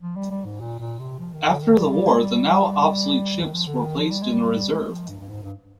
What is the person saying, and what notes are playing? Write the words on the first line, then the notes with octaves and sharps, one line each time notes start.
After the war, the now obsolete ships were placed in the reserve.
F3
G3
G3
G#2
A#2
A#2
C3
F3
D#3
D3
D#3
G3
G3
G#3
G3
D#3
F3
D3
D#3
F3
G3
G#3
G3
G#3
F3
G2
G2
G#2
G2